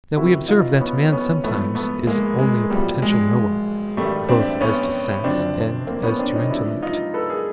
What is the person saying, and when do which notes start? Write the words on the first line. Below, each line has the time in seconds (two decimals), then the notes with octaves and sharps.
Now we observe that man sometimes is only a potential knower, both as to sense and as to intellect.
0.17 F#1 F2 C3 D#3 E4 F#4
0.48 D#4 F4
0.80 B3 C#4
1.12 B3 C#4
1.44 A#1 G#2 E3 A3 B3
1.75 A3 B3
2.07 G#3 A#3
2.39 G#3
2.70 B1 A2 F3 G3
3.02 G#3
3.97 A1 G2 D#3 G3 A3
4.29 C4 D4
4.61 B3 C#4
5.24 F#1 F#2 D3 F3 C4 D4
5.87 A#3 C4
6.03 B3 C#4
6.19 C4 D4
6.35 C#4 D#4
6.50 C#2 C3 E3 D4 E4
6.82 D#4 F4
7.14 A4 B4
7.30 G#4 A#4